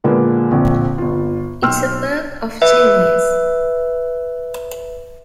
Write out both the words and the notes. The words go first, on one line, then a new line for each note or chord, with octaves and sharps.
It's a work of genius.
A#2 D3 G#3 A#3 B3
A#1 F2 D3 F3
G1 F4
B1 G5 C6 E6 F6
B4 E5